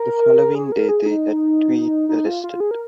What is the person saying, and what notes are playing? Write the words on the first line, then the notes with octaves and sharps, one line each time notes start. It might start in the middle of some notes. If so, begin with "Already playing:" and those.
The following day, they had Tweed arrested.
Already playing: A#4
G#4
A#4
G#4
D#4
D#4
F4
F4
G#4
A#4